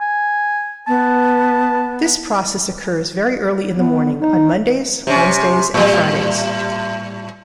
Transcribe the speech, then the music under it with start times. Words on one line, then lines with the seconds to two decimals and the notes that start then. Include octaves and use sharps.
This process occurs very early in the morning on Mondays, Wednesdays and Fridays.
0.01 G#5
0.87 B3 A5
3.77 B3
4.20 D#4
5.07 C3 C#4
5.74 A2 G3